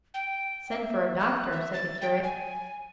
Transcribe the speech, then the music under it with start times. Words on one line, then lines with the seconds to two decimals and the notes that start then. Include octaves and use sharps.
'Send for a doctor,' said the curate.
0.14 G5
0.70 E5
1.19 F#6
1.52 E5
1.73 A6
2.01 G5
2.23 G#5